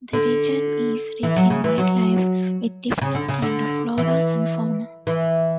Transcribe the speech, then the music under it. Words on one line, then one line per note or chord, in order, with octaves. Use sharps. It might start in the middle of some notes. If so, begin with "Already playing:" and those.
The region is rich in wildlife with different kind of flora and fauna.
D3
E3
F#3
C#3
E3
F#3
C#3
D3
C#3
D3
E3
E3